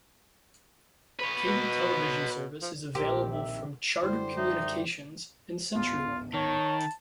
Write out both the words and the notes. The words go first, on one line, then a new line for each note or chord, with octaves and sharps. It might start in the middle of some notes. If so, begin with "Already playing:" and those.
Cable television service is available from Charter Communications and CenturyLink.
B4 C#5
B2
F3
A#1 D#3 C4 G4 A#4
E5
F#2 D3 G3 E4 C5
D#4 E5
D1 G#1 B3 F4
D#3 C#5 A5